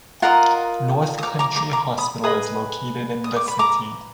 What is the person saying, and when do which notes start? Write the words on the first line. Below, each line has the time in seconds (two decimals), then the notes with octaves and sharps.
North Country Hospital is located in the city.
0.22 F4 A#4 D#5 F#5 A#5
1.18 D#6
1.23 A#5 D6
1.39 A#5 D6
1.56 A#5 D6
1.73 A#5 D6
1.98 B5 D#6
2.23 G#4 B4 D#5 B5 D#6
3.24 D#6
3.36 D6
3.48 B5
3.59 A#5 D6